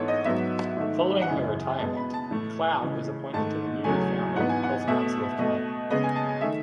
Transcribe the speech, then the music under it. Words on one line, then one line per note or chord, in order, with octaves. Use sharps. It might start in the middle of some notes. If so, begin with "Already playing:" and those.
Following her retirement, McLeod was appointed to the newly founded Health Council of Canada.
Already playing: G#2 E3 B3 A4 C#5
D#5
G#2 F#3 B3 E5
G#2 D#3 A3
F#5
F#2 C#3 E3 G#3 G#5
B2 G#3 B3 A5
B5
A5
A2 E3 A3
C#3 E3 G#3
G#2 D#3 A3 A5
E2 C#3 F#3 A3 G#5
G#2 E3 B3 F#5
G#5
F#5
B2 A3 E5
B2 A3 D#5
C#3 G#3 B3 D#5
G#5
A5
G#5
D#3 A3 E5